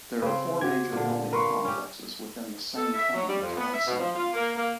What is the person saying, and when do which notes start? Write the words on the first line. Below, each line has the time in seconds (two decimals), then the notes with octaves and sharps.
There are four major building complexes within the Sengkang Town Centre.
0.22 C#3 C4 B4
0.61 F#4 G4 G#6
0.93 A#2 D3
1.33 A#4 B4 F5 C6 C#6
1.65 C#4 G4
2.76 A4
2.94 E5
3.14 F#3
3.27 G3
3.39 F2
3.57 B3
3.72 E5
3.85 B2
4.00 F3
4.15 F4
4.33 A#3
4.55 A#3